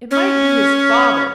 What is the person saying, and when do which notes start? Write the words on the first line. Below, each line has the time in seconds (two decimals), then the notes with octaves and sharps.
It might be his father!
0.11 C#4